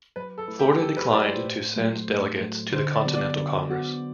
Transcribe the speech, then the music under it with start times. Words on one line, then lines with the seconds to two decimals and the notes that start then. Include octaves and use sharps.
Florida declined to send delegates to the Continental Congress.
0.16 F#3 B4
0.38 A4
0.48 A3 E4 B4
0.59 G4
0.80 F#3 A4
0.97 B4
1.12 A3 E4 B4 D5
1.28 C5
1.44 A2
1.76 F#3 A3
2.08 A2
2.40 F#3 A3
2.72 D3 C5
2.94 D5
3.04 F#3 B3 F#4
3.15 D5
3.37 D3
3.69 F#3 B3 F#4